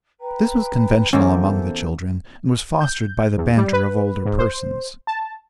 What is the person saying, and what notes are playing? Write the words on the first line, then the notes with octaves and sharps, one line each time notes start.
This was conventional among the children, and was fostered by the banter of older persons.
B4 G5 A#5
E2 A#3 C#4 A4 C5
G6
E2
G3
B4
G#2
C5
A5